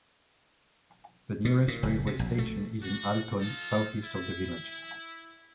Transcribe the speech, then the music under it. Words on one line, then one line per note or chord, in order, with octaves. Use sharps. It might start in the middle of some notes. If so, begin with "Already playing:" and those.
The nearest railway station is in Alton, southeast of the village.
B2
A#2
F#1
C3
A#1
A3
D4 F#4
D#4 F4 A4
E4